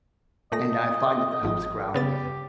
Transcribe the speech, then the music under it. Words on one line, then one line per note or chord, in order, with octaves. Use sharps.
And I find that that helps ground me.
A#2 A3 D#5 A#6
G#1 G#2 F3
C#3 B3 G4 A6